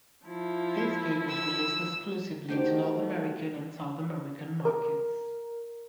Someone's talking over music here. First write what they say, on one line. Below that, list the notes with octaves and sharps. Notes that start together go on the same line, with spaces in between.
This game was released exclusively to North American and South American markets.
F3 E4
E6
D#3 A3 F#4 G4 C5 D5
A#4